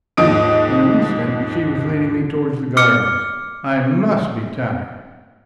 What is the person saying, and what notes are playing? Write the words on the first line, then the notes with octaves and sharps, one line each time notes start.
In an instant she was leading me towards the gardens. I MUST be tired.
D#2 G#2 F3 D#5 D#6 D7
D6 F6 C#7